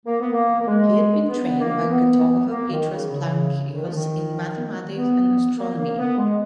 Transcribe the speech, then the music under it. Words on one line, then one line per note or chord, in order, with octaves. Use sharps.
He had been trained by cartographer Petrus Plancius in mathematics and astronomy.
A#3
B3
A#3
A#3
G#3
B3
A#3
B3
B3
A#3
D#3
C#3
C#3
D#3
F3
D#3
B3
A#3
A#3
B3
G#3